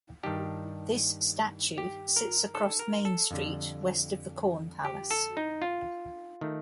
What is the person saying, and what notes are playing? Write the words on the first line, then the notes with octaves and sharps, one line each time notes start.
This statue sits across Main Street, west of the Corn Palace.
G2 D#3 G3 D4 G4
G4
A#4
A4
A#4
A4
F2 D3 G3
G4
A4
D#4
F4
D#3 A3